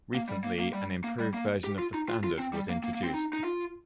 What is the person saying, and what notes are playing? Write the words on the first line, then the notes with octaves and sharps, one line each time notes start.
Recently an improved version of the standard was introduced.
A#3
G3
A#3
A#3
G3
A#3
G3
A#3
G4
F4
D#4
F4
F4
C4
G3
A#3
A#3
A#3
C4
D#4
D#4
F4